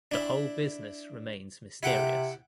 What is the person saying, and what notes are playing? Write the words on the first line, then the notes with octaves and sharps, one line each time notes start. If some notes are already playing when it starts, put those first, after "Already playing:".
The whole business remains mysterious.
D4 E4
C3 E4 F#5 G5